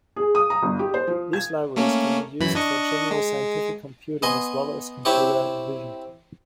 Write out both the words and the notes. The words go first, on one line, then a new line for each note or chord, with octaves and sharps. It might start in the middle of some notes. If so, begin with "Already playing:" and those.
These libraries can be used for general scientific computing as well as computer vision.
G#4
D#6
A#5
G1
G4
C5
F3
G#6
A3 A#3 C#4
F#2 E3 B5
D4 D#5 C#6
G#3
B3 D#5 G#5 C6
C4 E4 G4 C#5